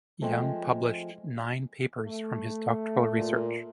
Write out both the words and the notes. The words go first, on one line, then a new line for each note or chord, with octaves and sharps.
Young published nine papers from his doctoral research.
F3 G#3 A3 C4 C5
A3
A#2